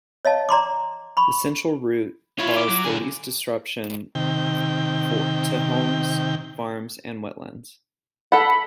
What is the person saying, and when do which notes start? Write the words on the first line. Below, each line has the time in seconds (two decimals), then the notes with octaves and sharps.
The central route caused the least disruption to homes, farms and wetlands.
0.25 C#5 D#5 F5 A5
0.49 D5 A#5 C6 D6
1.17 B5 C#6
2.39 E4 F4 C#5
2.56 D6
2.69 F#3
2.84 D3 G#4
4.15 C3 D#3 G5
8.32 A4 F#5 B5